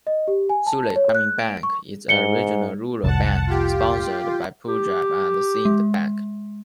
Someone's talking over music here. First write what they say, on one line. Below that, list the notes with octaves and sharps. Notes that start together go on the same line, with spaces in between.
Sutlej Gramin Bank is a Regional Rural Bank sponsored by Punjab and Sind Bank.
D#5
G4
G#5
A5
C#5
F#6
D7
C#6
G#2 C#7 G7
F1 C2 F#5 A5
F4 G4
G4
G#3